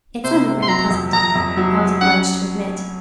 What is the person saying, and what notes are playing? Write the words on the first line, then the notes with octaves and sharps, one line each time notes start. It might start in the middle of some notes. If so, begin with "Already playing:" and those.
It sounded very pleasant, I was obliged to admit.
C3 C5
C3
C6
F#3 A#5
F2
F2 A#5
F2
F#3
F#3
C#4 F#5